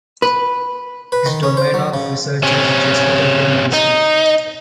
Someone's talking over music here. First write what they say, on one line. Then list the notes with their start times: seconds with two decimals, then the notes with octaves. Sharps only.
His domain of research is respiratory medicine.
0.22 B4
1.12 B4
1.26 D#3
1.43 C#4
1.57 C5
1.74 F#3
1.94 C#3
2.43 C3 C#4
3.73 D#4